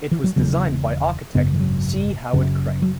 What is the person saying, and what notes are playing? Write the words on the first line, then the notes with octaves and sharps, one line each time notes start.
It was designed by architect C. Howard Crane.
E3
F#3
E1 E2 C#3 F#3
G#1 F#2 C#3 B3
E3
F#3
F#1 F#2 C#3
F#3